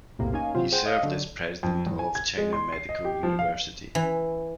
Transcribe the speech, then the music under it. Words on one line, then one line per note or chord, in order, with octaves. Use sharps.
He served as President of China Medical University.
B1 E2 A2 C3 A#3
A#3 C#4 D#4 F5 G#5
C3 E3 F#3 C4 F4
G#4 C5 F#5 G5
D#5 F5 D#6
D3 F#3
F2
E2
G#5
G#6
G#3
C6
C7
D#5
G4
F3
F5
E3